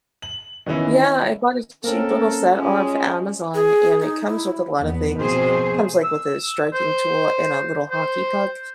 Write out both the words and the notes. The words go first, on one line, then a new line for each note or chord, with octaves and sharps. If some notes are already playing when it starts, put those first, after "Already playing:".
Yeah, I bought a cheap little set off Amazon and it comes with a lot of things; comes, like, with a striking tool and a little hockey puck
F#7
D#3 E3 B3 C#4 D#4 E4
A#3 C4 C#4 A4 A#4
G#3 C#4 F4 D#5
G#4
D#4
E4
E2 B3
B2 F3 C4 G#4 C5
E6
C5
C5